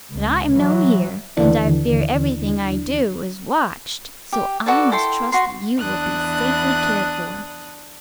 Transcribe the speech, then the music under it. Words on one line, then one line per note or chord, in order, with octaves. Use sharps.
"But I am known here, and I fear everything I do is watched. So I must trust that you will be safely cared for."
C#2
E3 F#3
D#2 D3 E3 D4
G4
F#4 A4 B4 D5
E4 A4 G5 C6
F#4 C6
E2 D4 D#6 F#6